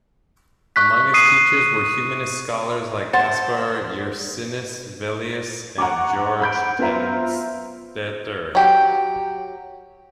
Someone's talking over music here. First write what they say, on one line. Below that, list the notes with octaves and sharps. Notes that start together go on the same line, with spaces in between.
Among his teachers were humanist scholars like Kaspar Ursinus Velius and Georg Tannstetter.
C#6 F#6 B6
D#6 C7 D#7
C5 F#5 A5
F#5 A#5 C#6 D6
F#5 B5 G6 D7
B3 F4 C5 E5 A#5
F#3 G4